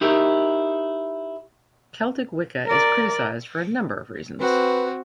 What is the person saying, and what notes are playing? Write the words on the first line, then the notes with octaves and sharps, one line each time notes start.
Celtic Wicca is criticized for a number of reasons.
D#4 E4 G4 A#4
A#4 D5
C4 F#4 B4